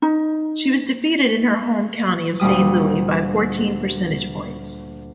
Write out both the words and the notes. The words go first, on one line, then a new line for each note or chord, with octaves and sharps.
She was defeated in her home county of Saint Louis by fourteen percentage points.
D#4
D2 A#2 G3 D#6